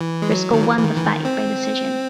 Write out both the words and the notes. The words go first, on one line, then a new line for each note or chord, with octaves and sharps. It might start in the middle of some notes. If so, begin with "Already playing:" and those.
Risco won the fight by decision.
E3
G#3
F#3
D#3
E3
E3
D#3
E3
D#3
C4